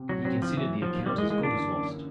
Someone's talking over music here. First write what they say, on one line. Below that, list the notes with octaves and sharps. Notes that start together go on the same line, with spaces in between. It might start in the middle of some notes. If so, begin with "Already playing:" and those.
He considered the account as good as lost.
Already playing: C3
A2 F#3
F#3 C4
A2 F3
E3 F#3
F#3
F3
D#2
G3 A#3
G#3
E3
G#3
A#3 D4
D3
F#2